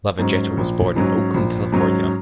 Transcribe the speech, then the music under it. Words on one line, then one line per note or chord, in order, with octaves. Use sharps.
Lavagetto was born in Oakland, California.
G#2 F#3 C#4
A#1
G#2 F#3 C#4
A#1
G#2 F#3 C#4